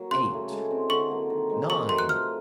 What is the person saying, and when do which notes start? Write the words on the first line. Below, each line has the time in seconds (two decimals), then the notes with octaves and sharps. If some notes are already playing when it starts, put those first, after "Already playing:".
Eight, nine!
Already playing: F#3 A#3
0.11 C#3 C6
0.30 F#3 A3
0.51 G#3
0.71 C4 E4
0.90 D3 C#6
1.10 F#3 A#3
1.30 D#3
1.49 G#3 C4 D#4
1.69 D#3 C#6
1.89 F#3 A3 C6
1.99 F#6
2.09 F3 F6